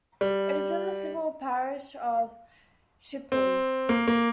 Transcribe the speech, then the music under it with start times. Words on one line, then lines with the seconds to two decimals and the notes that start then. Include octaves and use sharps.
It is in the civil parish of Shipley.
0.21 G3
3.32 C4
3.89 A#3
4.07 A#3